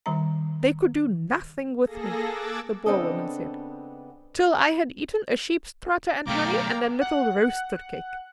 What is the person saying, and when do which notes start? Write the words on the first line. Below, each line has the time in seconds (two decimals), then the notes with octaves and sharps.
They could do nothing with me," the Boer-woman said, "till I had eaten a sheep's trotter, and honey, and a little roaster-cake.
0.06 D#3 G3 A#5
1.85 A#3 G#4 A4 A#6
2.23 D6 E6 F#6 G#6 A6
2.86 C#3 B3 C4 D4 A4 D#5
6.27 B1 A3 D5 F5 G5 A#5 D6
7.01 F#5 F#6